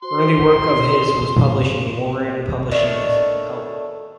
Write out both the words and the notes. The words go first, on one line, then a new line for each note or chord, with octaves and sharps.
Early work of his was published in Warren Publishing's Help!
F#4 C5 C6
D#3 A3 D4 C#5